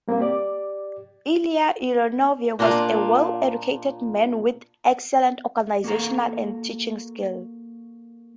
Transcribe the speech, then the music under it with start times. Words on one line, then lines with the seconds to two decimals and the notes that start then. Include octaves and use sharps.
Ilya Ulyanov was a well-educated man with excellent organizational and teaching skills.
0.08 G3 A#3 C4
0.20 G4 D5 D6
2.59 A#2 A#3 D4 F4
5.84 A#3 F#4 A4 A#5